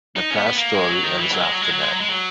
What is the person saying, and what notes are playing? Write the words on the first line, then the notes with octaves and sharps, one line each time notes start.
The past story ends after that.
D#4
C#4
B3
B3
A#3
G#3
F#3
D#3
E3
F#3
G#3
F#3
G#3
F#3
G#3
F#3
G#3
F#3